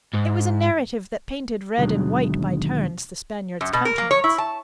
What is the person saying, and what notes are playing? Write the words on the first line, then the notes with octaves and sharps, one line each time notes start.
It was a narrative that painted red and white by turns the Spaniard's countenance.
G#2
D#2 B2 D3 D#3 F#3 G#3
F#2
B2
A#4
A#3
C#5
E4
A5